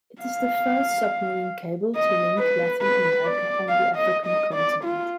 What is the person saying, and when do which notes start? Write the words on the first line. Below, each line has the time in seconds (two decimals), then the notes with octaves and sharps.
It is the first submarine cable to link Latin America and the African continent.
0.22 F5
1.95 D#5
2.39 B4
2.82 B4
3.25 D5
3.69 F5
3.97 D#5
4.26 D#5
4.54 D5
4.84 F4